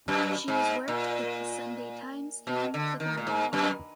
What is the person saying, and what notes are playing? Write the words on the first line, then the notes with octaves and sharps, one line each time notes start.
She has worked with the "Sunday Times" and "The Guardian".
F#2
G#2
A#2
B2
D3
D#3
A#2
G#2
F#2